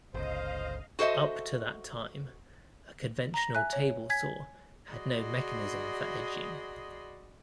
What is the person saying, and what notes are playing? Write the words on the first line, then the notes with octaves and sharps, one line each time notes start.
Up to that time, a conventional table saw had no mechanism for edging.
G1 C#2 C5 D#5 F5
F#4 A4 C5 D#5 E5
A#5 A#6
E5 G#5 F#6
C#5
G#5 G#6 B6
F#4 G#4 D5 D#5 B5 C6